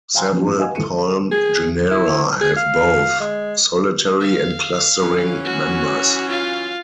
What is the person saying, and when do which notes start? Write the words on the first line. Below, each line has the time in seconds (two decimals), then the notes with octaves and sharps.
Several palm genera have both solitary and clustering members.
0.15 C5 F5 G5 G#5 A#5 C6
0.32 F3 F#3 A#3 C#4
0.46 A1
0.58 B4 D#5 F5 F#5 G#5
0.75 D#1 E3 A4 C#7 D#7
1.31 G#4
1.91 E4
2.41 G#4
2.57 F5
3.20 G#3
4.21 F5
5.03 E3 F#3 C#4
5.44 F#4
6.29 F4 F5